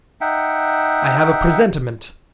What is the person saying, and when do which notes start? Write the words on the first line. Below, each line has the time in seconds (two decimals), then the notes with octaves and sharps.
I have a presentiment.
0.21 D#4 E5 F#5 G5